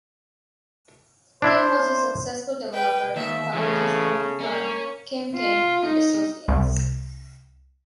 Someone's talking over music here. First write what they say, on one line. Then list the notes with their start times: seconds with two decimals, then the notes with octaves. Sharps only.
Kim was a successful developer and founded his own firm, Kim King and Associates.
1.42 D4 E4 C5 E5
2.73 B4 G5
3.16 D#2 E5
3.53 A2 C#3 E3 A3
4.40 A#3 C#4
5.35 F4
5.86 D#4
6.48 C2